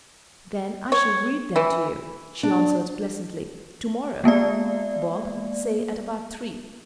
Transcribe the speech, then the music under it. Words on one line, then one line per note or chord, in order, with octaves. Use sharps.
"Then I shall read them to you," she answered pleasantly, "to-morrow, Bob, say at about three."
C#5
E3
D4
G#3 A#3 B3 D5